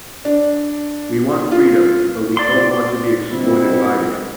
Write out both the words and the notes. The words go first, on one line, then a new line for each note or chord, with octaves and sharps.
We want freedom, but we don't want to be exploited by it.
D4
F4
D5 C6
G1 B2 C4 E4